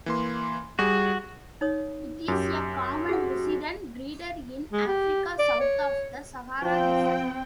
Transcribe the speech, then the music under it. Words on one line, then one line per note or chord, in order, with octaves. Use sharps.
It is a common resident breeder in Africa south of the Sahara Desert.
E3 A#3 C6
G3 F#4 G#4
D#4 C#5 D#6
F#2 G4
F#4 G#4 F#5
G#3
G4
D5
C#5
F3 C4 G5